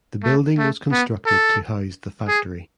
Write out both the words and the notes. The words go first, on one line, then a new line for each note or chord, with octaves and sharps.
The building was constructed to house the factory.
A3
A3
B3
A4
G#4